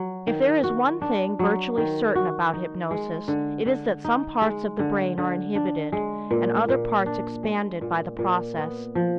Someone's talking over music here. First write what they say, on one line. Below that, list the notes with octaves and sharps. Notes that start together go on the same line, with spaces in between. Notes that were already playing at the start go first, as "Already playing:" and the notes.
If there is one thing virtually certain about hypnosis it is that some parts of the brain are inhibited and other parts expanded by the process.
Already playing: F#3
D#3
F#4
D4
F#3
D#3
F#4
D#4
G#3
D3
D3
D#4
G#3
D3
D3
D4
G#3
A#2
A#2
D4
G#3
A#2
A#2
B3
F3